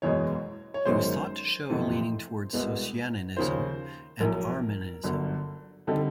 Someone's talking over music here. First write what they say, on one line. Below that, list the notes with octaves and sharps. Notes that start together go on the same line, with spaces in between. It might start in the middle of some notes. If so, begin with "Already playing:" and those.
He was thought to show a leaning towards Socinianism and Arminianism.
F#1 E2 B2 G#3 C#5
C#5
G1 F#2 D#3 G#3 C#4 C5
F#1 F2 C3 E3 A3
C2 B2 G#3 B3
D#2 C#3 F3 A#3 C5
A#1 A2 F#3 A#4
G1 F#2 D3
D3 G3 C4 D#4 A4